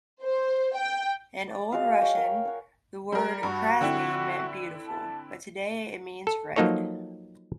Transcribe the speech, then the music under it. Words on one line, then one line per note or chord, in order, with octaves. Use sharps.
In old Russian the word "krasny" meant "beautiful", but today it means "red".
C5
G5
D5 D6
G#3 F#4 F5
C#5 G5
A#4 F5
C#5 F#5
G3 A#4
G2 F#4
D3 C4 E4
A5
A4
F3 F#3 A#3 D#4 A4 C#5